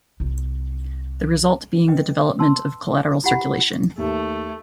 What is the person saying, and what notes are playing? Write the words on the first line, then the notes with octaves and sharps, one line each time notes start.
The result being the development of collateral circulation.
C2 F4
B4 D#5 G5
A5 C6 E6
E4 G4 F#5 B5
D#2 A3